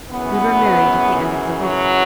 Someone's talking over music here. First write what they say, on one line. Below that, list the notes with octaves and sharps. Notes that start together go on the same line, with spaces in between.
We were married at the end of the week.
F#2 C#3 E3 B3
F#3